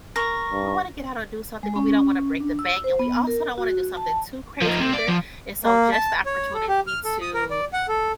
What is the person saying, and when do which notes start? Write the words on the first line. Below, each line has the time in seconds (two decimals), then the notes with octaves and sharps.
we wanna get out and do something, but we don't wanna break the bank, and we also don't wanna do something too crazy either, and so just the opportunity to
0.16 A#4 C#6 A#6
0.52 G2
1.63 G#3
1.76 C#4
2.40 D4
2.59 E6
2.84 C5
2.99 B3
3.27 A#4
3.58 F#4
3.97 A5
4.61 F3 D#4
4.79 C3
4.93 D5
5.08 F3
5.63 A#3
5.92 A5
6.26 C#5
6.54 A4
6.68 G4
6.87 F6
7.05 A4
7.22 D#6
7.34 A#4
7.50 D5
7.73 F#5
7.88 A4